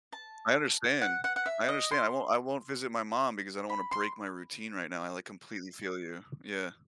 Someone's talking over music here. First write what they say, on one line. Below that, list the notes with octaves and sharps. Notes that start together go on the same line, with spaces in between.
I understand, I understand. I won't I won't visit my mom because I don't wanna break my routine right now. I, like, completely feel you, yeah,
A5
F#5
F#5
F#5
E5
D#5
C6
B5
C6